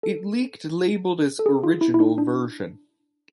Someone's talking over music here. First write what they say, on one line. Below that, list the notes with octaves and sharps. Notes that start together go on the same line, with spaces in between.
It leaked labeled as "Original Version".
A4
A4
G#4
F4
E4
E4
D#4
D4